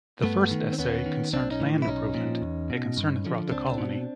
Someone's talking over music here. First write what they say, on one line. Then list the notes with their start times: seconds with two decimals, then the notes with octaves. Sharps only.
The first essay concerned land improvement, a concern throughout the colony.
0.24 G2 A3 B3
0.51 D#3
0.73 C4
0.78 D#2 B3 C#4
1.06 D#3
1.33 B1 C4 D4
1.51 C#4 D#4
1.60 A2 E3
1.82 E4
1.87 B1 C#4 D#4
2.14 A#2 F3
2.42 E2
2.70 B2
2.97 G2
3.25 D3 F3
3.51 C#2 C4 D4
3.78 B2